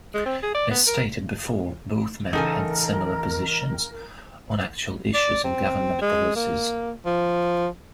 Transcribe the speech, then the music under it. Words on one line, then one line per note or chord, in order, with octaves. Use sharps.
As stated before, both men had similar positions on actual issues and government policies.
G#3
C4
G#4
D5
B3
A#4
A2 C#3 E3 D#4 A4 A#4 G#5
D5
C4
G#3
A#3
F3